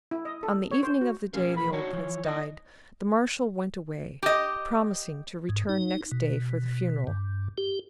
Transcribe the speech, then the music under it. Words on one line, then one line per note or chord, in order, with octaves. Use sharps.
On the evening of the day the old prince died the Marshal went away, promising to return next day for the funeral.
E4
D#5
A4
C#5
C5
F#4
F3 C#4 G#4 A#4
B5
D4 D#4 F#4 C#5
E3 F3
D#4 E4 D5 D#5
G4 D#5
G#2
D#4
B2
G2
G4